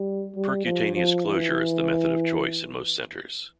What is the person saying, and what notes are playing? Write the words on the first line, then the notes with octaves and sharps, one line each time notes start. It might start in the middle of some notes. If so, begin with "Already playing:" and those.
Percutaneous closure is the method of choice in most centres.
Already playing: G3
G3
F3
F3
E3